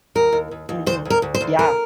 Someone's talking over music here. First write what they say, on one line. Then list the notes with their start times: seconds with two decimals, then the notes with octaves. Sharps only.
Mhm. Yeah.
0.15 D#2 A#4
0.32 D#2
0.51 D#2
0.69 D#2
0.86 D2 C5
1.05 D2 A#4
1.22 D2
1.35 C5
1.41 D2
1.59 D2 A#4